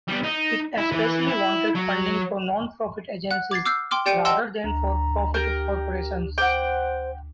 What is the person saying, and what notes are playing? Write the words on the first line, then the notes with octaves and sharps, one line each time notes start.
It especially wanted funding for nonprofit agencies, rather than for-profit corporations.
G3 B3
D#4
E4
E3 B4
E4
F#3
F#5 F#6
D6 G#6 A6 C7
D6 E6 F6 G6 C7
G5 C6 D6 F6
G4 D5 G5 G6 C#7 D#7
D#5 F#5 G5 A5 C6 E6
D2 A#5
G4 A#4 G5
C5 F#5 G5 D6